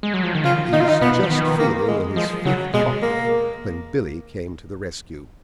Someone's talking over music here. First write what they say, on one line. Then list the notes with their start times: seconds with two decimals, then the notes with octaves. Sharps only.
He was just feeling in his fifth pocket when Billy came to the rescue.
0.03 G#3
0.14 F#3
0.23 F3
0.35 D#3
0.44 C#3 F4
0.73 D#3 D#4
0.81 F4
0.89 D#4
1.01 B2 B3
1.23 F3
1.30 D#3 B3
1.59 A#3
1.88 G#3
2.16 F3 G#3
2.45 C#3 F#3
2.74 B2 G#3
3.02 A#3